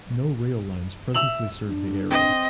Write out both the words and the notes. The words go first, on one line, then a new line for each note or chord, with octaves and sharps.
No rail lines presently serve the area.
E5 E6 F7 F#7
D4
C4 D#5